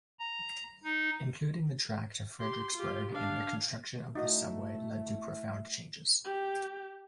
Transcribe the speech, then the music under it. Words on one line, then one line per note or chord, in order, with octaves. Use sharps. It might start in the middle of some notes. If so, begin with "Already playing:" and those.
Including the track to Frederiksberg in the construction of the subway led to profound changes.
A#5
D#4
G4 C6
F4 G4
D4 F5
A3 D#4 E4 F#4 D#5
G4